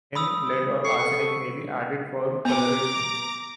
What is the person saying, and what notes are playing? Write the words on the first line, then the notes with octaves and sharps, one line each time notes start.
Tin, lead or arsenic may be added for colouration.
B5 D#6 E6
A4 C#6 C7
B3 A#5 D6